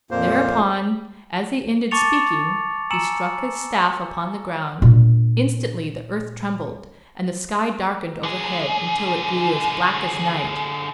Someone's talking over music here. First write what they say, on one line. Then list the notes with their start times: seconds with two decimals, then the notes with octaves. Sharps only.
Thereupon, as he ended speaking, he struck his staff upon the ground. Instantly the earth trembled, and the sky darkened overhead until it grew as black as night.
0.11 F2 A#2 A#3 C5
1.91 A5 C#6 D6 A6 C#7 F7
2.90 G#5 A#5 E6 C#7 E7 F#7
4.82 A#2 D4
8.23 D3 G#4